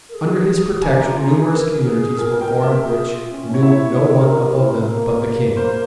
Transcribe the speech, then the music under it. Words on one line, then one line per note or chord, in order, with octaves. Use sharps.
Under his protection numerous communities were formed which knew no one above them but the king.
A#4
G#4
G4 G#5
A#5
F4
A#5
G#4
G#5
A#4
G#4
A#4 G#5
G5
E5
G#4
F4
C#4
E4 C#5
E5
C#5
F4 A#4
G4
E4
C4
G#3
A#3
C5